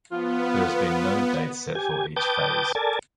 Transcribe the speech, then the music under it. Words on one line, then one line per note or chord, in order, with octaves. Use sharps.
There has been no date set for each phase.
F3 B3 F4
G4 G#5
B4 G5 A5 D6 D#6 G6
A4 A#4 D5 G#5 A5